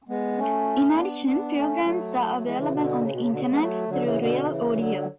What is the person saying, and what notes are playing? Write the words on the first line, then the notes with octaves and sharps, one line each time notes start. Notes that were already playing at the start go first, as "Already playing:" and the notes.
In addition, programs are available on the Internet through RealAudio.
G#3 B3
A3 C#4
B3 D4
B3 D4
A3 C#4
F#3 A3
A3
E3 G#3
C#3 E3
B2 D3
C#3
B2
C#3
B2 D3
C#3
G#3 B3
F#3 A3
D3 F#3
C#3 E3
B2 D3
C#3 E3
D3 F#3